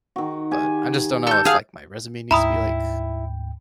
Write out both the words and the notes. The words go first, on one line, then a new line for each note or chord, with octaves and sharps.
but I just don't know if, like, my resume needs to be, like, ch
D#3 F#4
G4 G#5
A4 G6
G#4 F5 F#5 A5
D2 G#2 E4 G5 A#5 B5 D#6